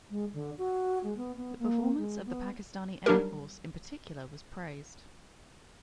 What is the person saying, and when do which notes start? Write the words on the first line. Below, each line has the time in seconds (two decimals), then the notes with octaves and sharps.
The performance of the Pakistani Air Force, in particular, was praised.
0.10 G#3
0.34 D3
0.58 F#4
1.04 G#3
1.17 B3
1.37 B3
1.59 A#3
1.97 G#3
2.26 B3
3.06 F#3 G3 D4 D#4 G4 A#4